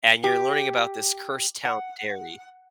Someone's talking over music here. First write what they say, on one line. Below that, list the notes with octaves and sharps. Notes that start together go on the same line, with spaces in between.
and you're learning about this cursed town Derry.
G4
F#5